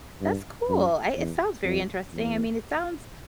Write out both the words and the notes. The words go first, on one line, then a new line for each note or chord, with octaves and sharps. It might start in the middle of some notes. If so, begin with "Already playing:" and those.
that's cool, I it sounds very interesting, I mean, it sounds
G2
F#2
E2
F2
E2